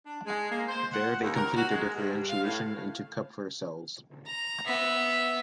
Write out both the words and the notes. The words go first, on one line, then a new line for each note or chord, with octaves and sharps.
There they complete their differentiation into Kupffer cells.
D4
G#3
A#3
C5
F#5
D#2
A#4
F#4
G#3
G2
F5
A2
A#5
B3 E5